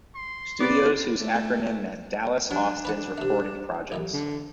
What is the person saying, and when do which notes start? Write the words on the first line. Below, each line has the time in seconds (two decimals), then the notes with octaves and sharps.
Studios, whose acronym meant "Dallas Austin's Recording Projects".
0.15 C6
0.60 B3 D5
1.19 A3
2.51 F#3 D4 C#5
2.85 B4 D5 F#5
3.18 C3 A3
3.92 A1 F#2 A2
4.13 D3